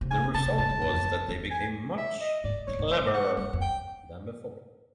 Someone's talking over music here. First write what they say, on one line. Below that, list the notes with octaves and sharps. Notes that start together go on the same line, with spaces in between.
The result was that they became much cleverer than before.
C3
C#3 G#5
D3
C#3 A5
C#3
G#2 A5
G2
F2
F#2
F2
F#2
E2
G#5
E5
D#5
G#2 D5
F#2 C#5
G#2
G2 C5
F#5
G2 F#5
F2
G5